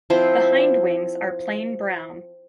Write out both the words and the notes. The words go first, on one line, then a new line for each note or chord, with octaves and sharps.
The hindwings are plain brown.
F3 C4 E4 C5